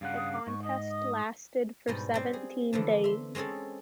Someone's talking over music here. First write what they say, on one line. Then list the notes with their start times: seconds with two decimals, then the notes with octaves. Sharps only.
The contest lasted for seventeen days.
0.01 G2 C#3 F5 F#5
0.17 D#6
0.33 D6
0.47 G#2 C#6
0.63 D#5 D#6
0.90 D#6
1.88 G#2 B2 G3
2.14 G3 C4
2.33 G#4
2.73 D3 E3 F3 D4
3.04 E5 C6
3.35 G#3 C4 C#4 G#4 A4